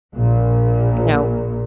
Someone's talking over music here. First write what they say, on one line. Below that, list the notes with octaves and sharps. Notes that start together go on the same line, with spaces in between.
you know,
A#1 A#2